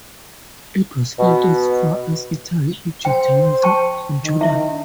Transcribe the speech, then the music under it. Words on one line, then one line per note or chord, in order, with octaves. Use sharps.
It was felt as far as Italy, Egypt, Malta and Jordan.
B2
C5 G5
G5 A5 C#6
D#3
E4 E5
D4